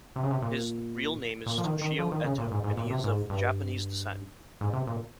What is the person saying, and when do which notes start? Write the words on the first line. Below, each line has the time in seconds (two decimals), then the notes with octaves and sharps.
His real name is Toshio Eto, and he is of Japanese descent.
0.16 C3
0.23 C#3
0.31 C3
0.42 A#2
1.46 A#2
1.58 F3
1.64 D#3
1.81 D#3
1.99 F3
2.12 D#3
2.24 C#3
2.38 A#2
2.51 G#2
2.64 G#2
2.77 A#2
2.90 C3
3.04 G#2
3.30 G2
4.61 G#2
4.73 C3
4.87 A#2